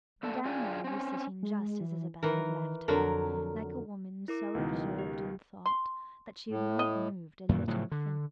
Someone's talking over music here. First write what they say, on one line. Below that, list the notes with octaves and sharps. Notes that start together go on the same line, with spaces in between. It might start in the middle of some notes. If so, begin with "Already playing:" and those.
Madame Merle was sitting just as Isabel had left her, like a woman so absorbed in thought that she had not moved a little finger.
A#3 A4 D5 A5
D4 F4 G#4 D5 G5 G#5
C4 C#4
G#3
E3
D#3 E3 A#4
F2 D3 F#3 A#4
E4 A#4 D6
C#2 B2 D#3
G4
C6
A2
D#5
F#2 A#2 D#3 E3
A2 C#3 F3 F#3
D3